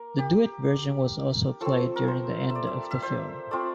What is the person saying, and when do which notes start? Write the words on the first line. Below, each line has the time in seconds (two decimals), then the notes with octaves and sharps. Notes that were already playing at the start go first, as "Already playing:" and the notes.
The duet version was also played during the end of the film.
Already playing: A#3 A#4
0.18 G4
1.61 F3 A3 C4 A4
1.96 A#4
2.08 C5
2.50 E5
2.55 D5
2.67 E5
2.91 E5
3.02 C5
3.51 A3 C4 F4 D5